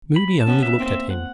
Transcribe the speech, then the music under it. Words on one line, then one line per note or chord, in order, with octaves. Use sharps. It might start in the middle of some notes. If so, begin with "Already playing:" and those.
Moody only looked at him.
B5
A5
B3 C#4
E5
A#3 C4
E5
F#5